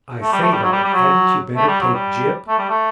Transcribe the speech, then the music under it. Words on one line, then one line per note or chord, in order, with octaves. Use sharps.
"I say, though, hadn't you better take Gyp?"
A3
G3
A3
G3
F#3
G3
G3
F#3
A3
G3
F#3
G3
A3
G3
A3